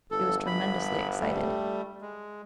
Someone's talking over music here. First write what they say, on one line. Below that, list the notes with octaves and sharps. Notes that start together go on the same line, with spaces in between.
She was tremendously excited.
G1 A4
B5
G3 A3
G#3